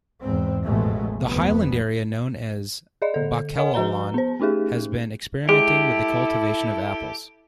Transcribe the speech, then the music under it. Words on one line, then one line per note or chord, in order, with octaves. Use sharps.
The highland area known as Ba'Kelalan has been experimenting with the cultivation of apples.
E2 G#2 C4
A1 F2 B2 G#3 A3
F1 D2 B3
G#4 D5 D#5
D3 A4
A#4 C#5 D#5 F#5 G#5
F3 F#4 B4 A#5 G7
B3 C5
A3 C#4 D#4 G4 G#4
G#3 E4 G4 A4